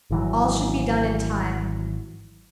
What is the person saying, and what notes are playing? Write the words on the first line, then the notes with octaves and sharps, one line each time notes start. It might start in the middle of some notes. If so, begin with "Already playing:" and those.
All should be done in time.
G#1 E3 F#3